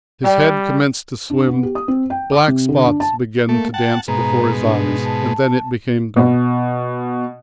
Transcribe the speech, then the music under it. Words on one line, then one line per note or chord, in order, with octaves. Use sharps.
His head commenced to swim, black spots began to dance before his eyes, and then it became dark.
G3 D5 G5
D4
B3
G4
D#6
C4
G5
D6
C3
D3
D4
A5
A3 A#3
F#5 G5 A5
G#2 B2 A#5
D4
A5
B2